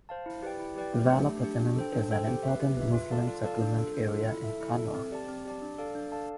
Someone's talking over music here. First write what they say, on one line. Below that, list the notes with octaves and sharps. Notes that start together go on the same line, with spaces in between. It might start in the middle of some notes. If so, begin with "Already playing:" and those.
Valapattanam is an important Muslim settlement area in Kannur.
C5 F5 A5
E4
G4 B4 D5 G5
E4
G4 B4 D5 G5
A3
D4 G4
A3
D4 G4
D4
A4 C5 G5
D4
A4 C5 G5
G4
B4 E5
G4
B4 E5
F4
A4 D5 F5 A5
F4
A4 D5 F5 A5
D4
F4 A4
D4
F4 A4
E4
A4 E5
E4
A4 E5
C4
G4 D5 A5
C4
G4 D5 A5
D4
A4 D5 F5 A5
D4
A4 D5 F5 A5